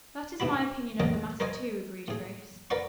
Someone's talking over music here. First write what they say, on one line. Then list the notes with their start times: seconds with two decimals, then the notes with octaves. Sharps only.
"That is my opinion of the matter, too," agreed Grace.
0.40 G#2 B2 E4 F#4 B5
1.00 A1 D3 A#3 C#4 A#4 D#5
1.40 A#4 C5 C#5 D#5 G#5
2.08 A2 G#4
2.70 A#4 B4 D5 F#5 C#6